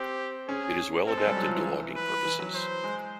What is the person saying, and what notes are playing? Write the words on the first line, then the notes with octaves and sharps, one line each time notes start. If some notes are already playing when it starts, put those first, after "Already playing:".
It is well adapted to logging purposes.
Already playing: C4 G4
C#4 G#4
C4 A4
G#3
G3
F#3
F3
E3
B4
E3
F#3
C5
G#3